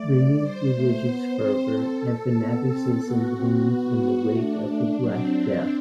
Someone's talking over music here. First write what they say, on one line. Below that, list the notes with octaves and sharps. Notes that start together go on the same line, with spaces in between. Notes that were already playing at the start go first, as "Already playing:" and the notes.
Renewed religious fervour and fanaticism bloomed in the wake of the Black Death.
Already playing: A3 D5
G3 C5
A3
B3
C4 C5
A4
B3
C4
B3 F#4
C4
B3
A3 D4
A3
F#3 C4